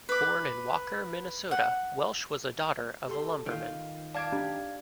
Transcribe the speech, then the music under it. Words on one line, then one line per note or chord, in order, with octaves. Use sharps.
Born in Walker, Minnesota, Welsh was a daughter of a lumberman.
B4 D6
F#5
G4 A4 C6
D#3 F4
D5 F5 A5 D6 G#6
D4 D#4 G4